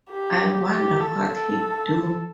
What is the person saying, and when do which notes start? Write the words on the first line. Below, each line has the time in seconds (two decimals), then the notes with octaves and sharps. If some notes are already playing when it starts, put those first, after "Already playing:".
I wonder what he'd do?
0.11 G4
0.70 G4
1.00 A4
1.30 A4